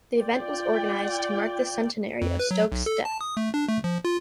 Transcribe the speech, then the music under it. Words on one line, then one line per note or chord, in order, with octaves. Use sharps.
The event was organised to mark the centenary of Stokes' death.
F4 D5 G5
F2
B4
F#3
B1
A4
A5
D#6
A3
D4
A3
F3
F4